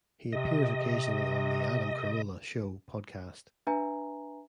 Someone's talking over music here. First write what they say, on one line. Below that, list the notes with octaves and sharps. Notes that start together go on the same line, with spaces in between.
He appears occasionally on "The Adam Carolla Show" podcast.
C3 D#5
D4 B4 E5 G#5 A#5